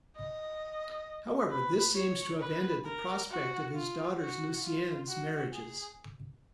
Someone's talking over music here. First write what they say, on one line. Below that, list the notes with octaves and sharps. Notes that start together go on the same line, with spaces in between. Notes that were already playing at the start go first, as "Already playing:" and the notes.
However, this seems to have ended the prospect of his daughters' Lusignan marriages.
D#5
B4
C#5
B4
A#4
F#4
F4
F#4
F4
F#4
G#4